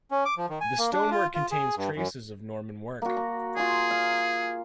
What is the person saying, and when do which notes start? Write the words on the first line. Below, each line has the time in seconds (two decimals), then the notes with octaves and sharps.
The stonework contains traces of Norman work.
0.11 C#4
0.25 D6
0.37 F3
0.50 D#3
0.61 G#5
0.78 A#3
0.92 D4
1.11 F4
1.35 F4
1.51 G#4
1.77 G2
1.96 F#2
3.02 A#3 F#4
3.17 A#5
3.57 F4 G#4 G#5
3.91 F5